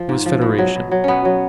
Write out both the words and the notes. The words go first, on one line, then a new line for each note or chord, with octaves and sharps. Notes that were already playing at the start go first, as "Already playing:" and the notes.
It was Federation.
Already playing: F3
G#2
F3
B2
F#3
B2
F#3
B2 B3 C#4
F#3